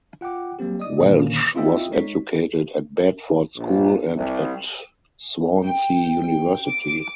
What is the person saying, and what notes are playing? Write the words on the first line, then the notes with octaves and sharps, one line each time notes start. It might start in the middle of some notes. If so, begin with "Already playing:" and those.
Welch was educated at Bedford School and at Swansea University.
F4 F#5 G5 D6
F#3 G3 A#3 C4 G4
D5 D#5 D#6
A#2 D3 D#3 A#3 C#4
C4 E4 F4 D#5 E5 G5
G#3 D#4 C#5 B6
A#1
C2
G5
G5
D6